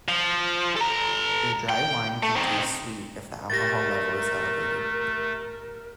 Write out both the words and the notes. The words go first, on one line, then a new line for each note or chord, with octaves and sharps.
A dry wine can taste sweet if the alcohol level is elevated.
F3
A4 A#5
G5
A3
C4 D#4
A2 A3 G4 A#4 A6 A#6